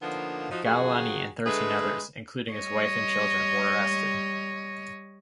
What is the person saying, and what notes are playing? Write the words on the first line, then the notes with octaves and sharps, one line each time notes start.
Ghailani and thirteen others, included his wife and children, were arrested.
D3 F3 A#3 B3 D4 D#4
F3 D#4 F#4
F#2 D#3 F3 F#4 G#4
D3 G#3 A3 G#4 B4
G3 C#5 D#5